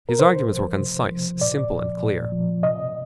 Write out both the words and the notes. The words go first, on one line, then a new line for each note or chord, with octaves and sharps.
His arguments were concise, simple, and clear.
A#4
C3 C5
F3
C3
F3
A#2 D5
F3
A#2
F3
C3 D#5